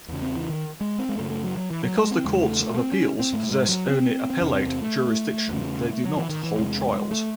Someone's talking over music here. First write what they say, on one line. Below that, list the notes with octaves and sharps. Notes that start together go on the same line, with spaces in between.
Because the courts of appeals possess only appellate jurisdiction, they do not hold trials.
E2 C#3
C4
E3
D#3
G#3
C4
G#3
F#2 C#3 A3
A3
F#3
F#3
E3
F#3
G#3
C4
E2 C#3 G#3
A3
A3
A3
C4
C#4
C4
G#2 A3
G#3
F#3
C4
C4
E2 C3 C#4
C4
C4
A3
E2 C#3
F#3
E3
D#3
E3
E2 C3 G#3
A3